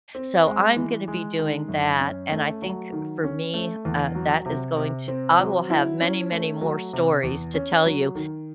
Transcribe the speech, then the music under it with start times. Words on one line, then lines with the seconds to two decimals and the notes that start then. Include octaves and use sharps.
So, I'm gonna be doing that and I think for me, uh, that is going to I will have many, many more stories to tell you.
0.15 C4
0.46 G#3
0.76 E3
1.08 G#3
1.39 D#3
1.68 F#2
2.00 C#4
2.31 A3
2.62 F#3
2.92 D#3
3.23 C#4
3.54 A3
3.85 E2
4.15 F#3
4.46 C3
4.76 C3
5.08 C4
5.39 F#3
5.70 E4
6.01 C#4
6.31 A3
6.61 F#3
6.93 C3
7.23 E2
7.54 C#4
7.85 F#3
8.15 D#3